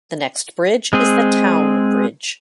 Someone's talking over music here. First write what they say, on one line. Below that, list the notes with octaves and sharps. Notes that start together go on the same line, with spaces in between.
The next bridge is the Town Bridge.
G#3 C4 G#4